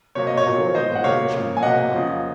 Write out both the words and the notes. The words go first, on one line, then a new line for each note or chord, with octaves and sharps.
And the glory of the Lord shone round about them!
C3 F#3 A#3 C#5
D#5
C#5
A#2 F#3 A#3
A#2 G#3 C5 D#5
F#5
C3 F#3 A#3 C#5 F5
C#3 F3 A#3
G#5
C3 F#3 A#3 D#5 F#5
C#3 F3 A#3